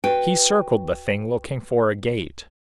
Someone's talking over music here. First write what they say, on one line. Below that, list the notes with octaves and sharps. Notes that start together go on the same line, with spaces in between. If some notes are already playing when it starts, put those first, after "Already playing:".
He circled the thing, looking for a gate.
F#4 B4 G5